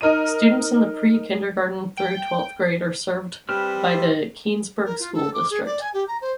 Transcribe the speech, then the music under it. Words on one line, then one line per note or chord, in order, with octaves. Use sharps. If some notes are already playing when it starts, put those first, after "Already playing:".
Students in pre-kindergarten through twelfth grade are served by the Keansburg School District.
D#4 A#4 D#5 D#7
G5
G3 C4 B4 F6
F4 E5
A#4
F4
A4
D6
G#4
D5
G#5
G4
A#5
C5